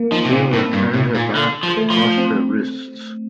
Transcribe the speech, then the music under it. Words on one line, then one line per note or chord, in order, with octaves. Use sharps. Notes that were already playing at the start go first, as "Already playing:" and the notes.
Celia turned her back and crossed her wrists.
Already playing: A#3
F3 D#4
C3
A#2 C4
A2 A#3
G2
A2
A#2
D3
F3
A3
F3
C4